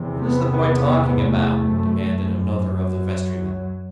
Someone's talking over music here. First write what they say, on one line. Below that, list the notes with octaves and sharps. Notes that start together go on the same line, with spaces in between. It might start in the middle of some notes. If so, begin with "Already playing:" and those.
"What is the boy talking about?" demanded another of the vestrymen.
Already playing: E2 C3
B3
A3
F#2
F#3